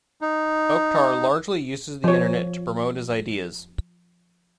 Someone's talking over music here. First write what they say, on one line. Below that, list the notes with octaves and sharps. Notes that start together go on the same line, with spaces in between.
Oktar largely uses the Internet to promote his ideas.
D#4
F3 C#5